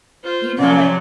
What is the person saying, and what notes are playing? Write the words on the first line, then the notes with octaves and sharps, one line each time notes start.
You know, like
F4 C5
C3 F3 F#3 C#4 D5